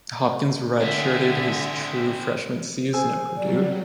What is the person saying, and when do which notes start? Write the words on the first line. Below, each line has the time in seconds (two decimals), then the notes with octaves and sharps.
Hopkins redshirted his true freshman season at Purdue.
0.80 D3 C4 G#4 E5
2.93 G#4 C5 G#5 E6
3.37 F#3 G3 D5